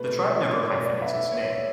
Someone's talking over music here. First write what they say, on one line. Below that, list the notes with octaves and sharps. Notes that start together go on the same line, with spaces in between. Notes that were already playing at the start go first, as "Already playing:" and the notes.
The tribe never hyphenates its name.
Already playing: B2 A3 B4
C#5
B2 A3 D5
E5
C#5